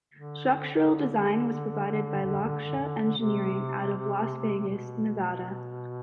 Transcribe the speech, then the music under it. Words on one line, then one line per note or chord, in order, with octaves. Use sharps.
Structural design was provided by Lochsa Engineering out of Las Vegas, Nevada.
D3
C3
B2